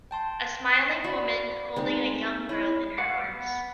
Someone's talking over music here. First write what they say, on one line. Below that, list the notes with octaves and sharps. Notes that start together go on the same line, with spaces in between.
A smiling woman holding a young girl in her arms.
G5 A5 C6
F#4 D5 B5
G#3 C4 D#4
E4 C#5 B5
F#4 B4 F5 F#5 D6
B3